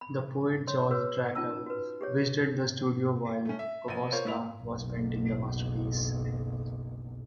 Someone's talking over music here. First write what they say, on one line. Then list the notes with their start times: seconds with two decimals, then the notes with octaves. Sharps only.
The poet Georg Trakl visited the studio while Kokoschka was painting this masterpiece.
0.01 B5
0.67 C#5 C6
0.91 F#4 G#4 B4 C#5 E6
1.35 C#4 D#4 F4 A5 E6
1.66 F#4 B4
2.01 G4 G#4 C#5
3.45 A3 C#4
3.59 E5
3.88 A#1 D#7
4.12 F4 A#4 C5 C#5
4.25 A2 E4 F7
4.62 F#1 B1